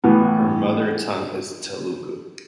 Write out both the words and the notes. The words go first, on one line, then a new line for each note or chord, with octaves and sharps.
Her mother tongue is Telugu.
A2 E3 B3